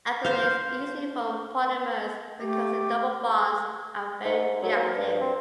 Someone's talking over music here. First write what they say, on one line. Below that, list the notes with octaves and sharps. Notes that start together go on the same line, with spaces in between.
Acrylates easily form polymers because the double bonds are very reactive.
C5 F5
A3 G4 D6
G#2
F#3
A#3
G2
C4